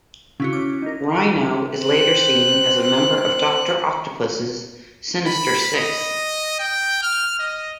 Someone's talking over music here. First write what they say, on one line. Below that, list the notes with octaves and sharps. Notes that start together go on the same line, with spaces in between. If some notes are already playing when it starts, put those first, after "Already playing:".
Rhino is later seen as a member of Doctor Octopus' Sinister Six.
C#3 C#4 E4 F#4
C#4 D6
D#4 A#4
C4 F#6
B5
D#5
G5
F6
D#5